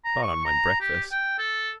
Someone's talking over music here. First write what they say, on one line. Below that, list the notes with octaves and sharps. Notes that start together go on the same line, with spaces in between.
Not on my breakfast.
A#5
C#6
A#5
G4
G5
A4